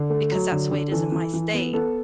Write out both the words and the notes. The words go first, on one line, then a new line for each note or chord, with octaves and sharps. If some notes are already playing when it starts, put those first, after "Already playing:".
because that's the way it is in my state.
Already playing: D3
A3
F#3
D3
D3
E3 A4
E3
E3
B3
B3 A4